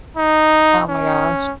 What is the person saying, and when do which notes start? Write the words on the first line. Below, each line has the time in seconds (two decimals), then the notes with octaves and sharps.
Oh my gosh.
0.17 D#4
0.89 C#4